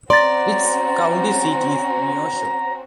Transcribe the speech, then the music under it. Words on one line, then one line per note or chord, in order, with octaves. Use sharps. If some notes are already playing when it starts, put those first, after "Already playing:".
Its county seat is Neosho.
C4 C#4 F#4 D5 A#5 C6 A6